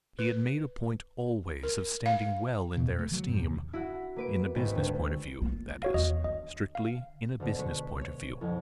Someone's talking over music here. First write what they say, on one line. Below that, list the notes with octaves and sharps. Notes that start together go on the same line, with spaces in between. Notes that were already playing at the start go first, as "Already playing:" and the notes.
He had made a point always of standing well in their esteem: in a business point of view, that is; strictly in a business point of view.
B4
A#4
F5
E2 B2
A3
E3 F#3
F#2 A2 C3
D#2
E4 F#4 F#5
A#3 B4 D7
G#1 G#3 B4 G5
D2
A#3 F4
F#4 C#5 F5
E2 D#5
D3 D#5
F5
D2 B2
G#3 C#6 B6
C#5
C2 F2